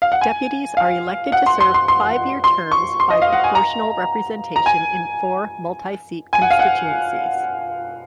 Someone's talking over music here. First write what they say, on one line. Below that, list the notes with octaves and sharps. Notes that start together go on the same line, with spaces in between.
Deputies are elected to serve five-year terms by proportional representation in four multi-seat constituencies.
F5
F#5
G#5
F5
F#5
C6
C6
C6
C6
C6
C#6
C6
D#5
F5
F#5
G#5
A#5
A#5
G#5
G#5
F#5
F5
F#5